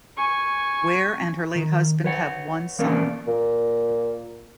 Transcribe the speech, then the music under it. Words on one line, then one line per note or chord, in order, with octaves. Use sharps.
Wair and her late husband have one son.
G#5 C#6
D#3
B4 C#5 F#5
E3 A#3 B3 C#4 A#4 D5
A#2